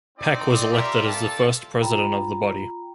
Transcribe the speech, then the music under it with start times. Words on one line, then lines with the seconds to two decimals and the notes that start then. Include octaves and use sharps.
Peck was elected as the first president of the body.
0.18 C4 D#4 D5
0.71 F4 G4 A4 A#4 D5 E5
1.07 C4 F4 A4 A5
1.80 F4 G5 A#5 B5